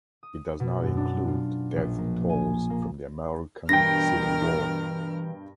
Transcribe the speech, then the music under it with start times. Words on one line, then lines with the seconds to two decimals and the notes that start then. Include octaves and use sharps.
It does not include death tolls from the American Civil War.
0.23 D#6
0.60 B2
0.83 F#2
0.97 D4
1.28 F4
1.76 A#1
1.98 A#3
2.29 G#5
2.70 A#3
3.69 G2 B2 E3 A#4 G5 F6 A#6